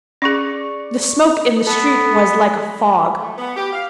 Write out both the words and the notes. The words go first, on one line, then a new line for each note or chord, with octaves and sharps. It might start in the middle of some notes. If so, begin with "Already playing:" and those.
The smoke in the street was like a fog.
C#4 G#4 D5 C#6
B3 A4
A3
B3
G4
F5